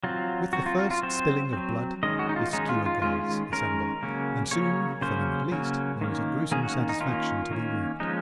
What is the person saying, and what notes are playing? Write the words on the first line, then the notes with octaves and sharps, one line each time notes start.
With the first spilling of blood the skua gulls assemble, and soon, for them at least, there is a gruesome satisfaction to be reaped.
F#3 C4 F4
F#3 C4 F#4
F4
F4
F4
F#3 C4 C5
F#3 C4
D#3 G#3 C#4 D#5
F#4
D#4
F4
D#3 G#3 C#4 D#4
F4
F4
D#3 G#3 C#4 F4
F4
D#3 G#3 C#4 A#4
C#3 F#3 A#3 C#4
C#3 F#3 A#3 C#4 C#5
C#3 F#3 A#3 C#4 C5
C#3 F#3 A#3 C#4
D#3 A#3 C#4
D#3 A#3 C#4 G#4
F#4
D#4
D#3 A#3 C#4 F4
D#3 A#3 C#4
F3 G#3 C#4 D#4